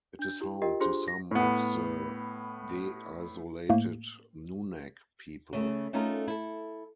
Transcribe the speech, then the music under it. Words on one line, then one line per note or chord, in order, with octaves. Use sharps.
It is home to some of the deisolated Nunak people.
D4 G6
E4 G4
F4 G4 A#4 D#5 G5
D4 F4 G4 G#4 C5 C6
A#6
A2 B3
A2 A3 A#3
C#3 A3
A3 C#4 D#4 F4 A4 A#4
E4 A4